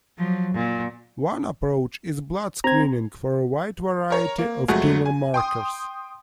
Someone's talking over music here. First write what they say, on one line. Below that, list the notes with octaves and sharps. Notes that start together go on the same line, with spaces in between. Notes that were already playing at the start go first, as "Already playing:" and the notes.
One approach is blood screening for a wide variety of tumor markers.
F3 F#3
A#2
C4 A#5 G#6
A#4 C#5 A#5
A#3
F2 F#3 G#3 A3 F#4 F#5
G#5
G5 C6 D#6